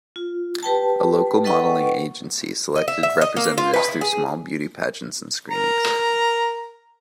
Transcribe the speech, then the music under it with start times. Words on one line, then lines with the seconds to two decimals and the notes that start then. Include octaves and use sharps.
A local modelling agency selected representatives through small beauty pageants and screenings.
0.16 F4
0.63 G4 B4 G5 A5
1.44 A4 B4 D#5 F#5 G5 C#6
2.76 D#5
2.88 E5
3.03 E5
3.21 D#5
3.37 A#3
3.58 F4
3.74 B4
3.88 E4
4.01 G#4
5.51 A#4 A#5